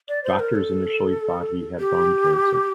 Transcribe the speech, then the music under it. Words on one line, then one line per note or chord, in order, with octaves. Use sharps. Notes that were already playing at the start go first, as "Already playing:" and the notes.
Doctors initially thought he had bone cancer.
D5
C5
A#4
A4
G4